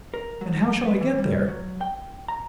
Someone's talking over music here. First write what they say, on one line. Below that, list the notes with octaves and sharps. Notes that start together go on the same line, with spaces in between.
"And how shall I get there?"
A#4
F#3
B4
E3
G3
F#3
G5
A#5